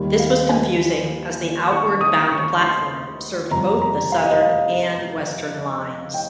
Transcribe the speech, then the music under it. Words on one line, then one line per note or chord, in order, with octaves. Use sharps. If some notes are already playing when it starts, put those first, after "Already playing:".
This was confusing as the outward-bound platform served both the Southern and Western Lines.
Already playing: D#2 D#3 G3
F5
G#5
C#6
D#6
C#6
C6
F2 C3 G3 A#5
A#5
F5
D#5
F5
F5
G5